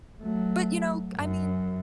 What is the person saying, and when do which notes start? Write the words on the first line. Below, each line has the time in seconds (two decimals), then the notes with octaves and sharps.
But, you know, I mean
0.22 F#3 A3
1.16 F#2